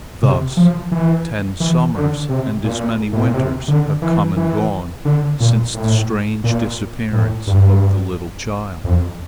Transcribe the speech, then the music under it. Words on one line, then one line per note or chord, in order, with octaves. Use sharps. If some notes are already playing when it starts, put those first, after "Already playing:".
Thus ten summers and as many winters have come and gone since the strange disappearance of the little child.
C3
F3
E3
E3
D3
C3
A#2
A2
A#2
C3
D3
E3
E3
D3
A#2
A2
A#2
A2
G2
F2